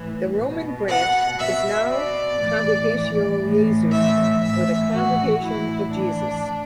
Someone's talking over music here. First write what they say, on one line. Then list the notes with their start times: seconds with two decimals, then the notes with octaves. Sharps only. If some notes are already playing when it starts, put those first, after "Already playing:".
The Roman Branch is now Congregatio Jesu or the Congregation of Jesus.
Already playing: A2 E3
0.37 B2
0.88 F#5
1.38 B2 E5
1.88 D5
2.39 A2 E3
3.40 A2 E3
3.90 E5
4.41 A2 E3 E5
4.91 F#4
5.42 A2 E3 E4
5.92 D4